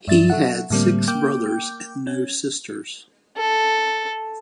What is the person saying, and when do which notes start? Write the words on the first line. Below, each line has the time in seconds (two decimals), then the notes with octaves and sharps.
He had six brothers and no sisters.
0.08 G2 E5 A6
0.30 F#3 A4 E5 F#5
0.70 A2 D3 G3 A#3 C4
1.08 A#3 G5 D6 G6
2.07 C#4
3.37 A4